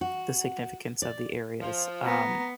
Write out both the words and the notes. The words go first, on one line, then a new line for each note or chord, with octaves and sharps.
the significance of the areas. Um,
F#4
D5
F3
B3 A#5